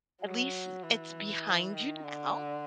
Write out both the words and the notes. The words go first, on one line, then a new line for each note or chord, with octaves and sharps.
at least it's behind you now.
F#3
E3
D#3
D3